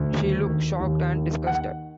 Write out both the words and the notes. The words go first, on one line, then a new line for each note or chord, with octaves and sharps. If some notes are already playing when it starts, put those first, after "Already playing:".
She looks shocked and disgusted.
Already playing: D2
D#2
D#3
D#2
D#3
F#5